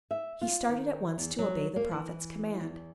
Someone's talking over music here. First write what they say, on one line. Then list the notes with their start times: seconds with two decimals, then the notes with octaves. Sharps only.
He started at once to obey the prophet's command.
0.11 E5
0.41 F4
0.69 D#3
1.18 E2
1.39 F#3
1.76 A#3
1.91 E3
2.61 E2